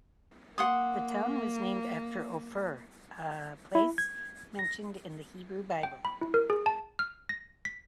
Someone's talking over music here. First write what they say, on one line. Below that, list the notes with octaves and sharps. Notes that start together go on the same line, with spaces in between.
The town was named after Ophir, a place mentioned in the Hebrew Bible.
A#3 F#5 C6 D#6
E4
G#6
A#6
G5
B5
E4
A#4
G#4
A5
F6
A#6
B6